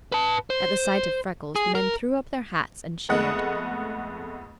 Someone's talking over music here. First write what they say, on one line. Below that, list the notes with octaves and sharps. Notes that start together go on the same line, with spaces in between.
At the sight of Freckles the men threw up their hats and cheered.
B4 A5
C5
G#4
A#4
F2 G#3 A3 B3 D#5 F#5